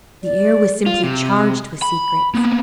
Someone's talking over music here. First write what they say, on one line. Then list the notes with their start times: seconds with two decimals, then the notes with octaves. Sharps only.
The air was simply charged with secrets.
0.23 D5
0.86 F4
1.04 C3
1.82 B5
2.34 A#3 B3